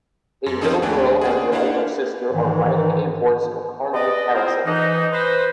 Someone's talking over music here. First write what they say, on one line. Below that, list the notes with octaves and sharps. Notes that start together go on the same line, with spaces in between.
A little girl and her older sister are riding a horse in a carnival carousel.
F#2
F3 C4 C#4 D#4 G#4 A4
D#2 A3 D4 G5 G#5
C#4 D4 G#4
A#3 D4 E4 C5 F5 F#5
G#2 D#3 E3
B4 D5 D#5
C4 E4 F4 G#4 A#4 C5
E3 D#4
B4 C5